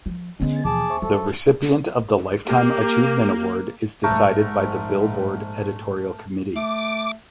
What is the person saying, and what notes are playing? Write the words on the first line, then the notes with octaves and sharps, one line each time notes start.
The recipient of the Lifetime Achievement Award is decided by the "Billboard" editorial committee.
F3
D3 G#3 B3 C#4
D#2 B2 E3 F3 G#4 A5 D6
C5 E5 C#6
F#3 A4
A#3 G4
A#1 G#2 A3 A#4
A3 D6